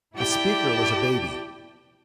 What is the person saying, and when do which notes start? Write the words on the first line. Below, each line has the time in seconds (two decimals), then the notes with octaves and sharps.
The speaker was a baby!
0.15 E4 G4 D5 G5 A5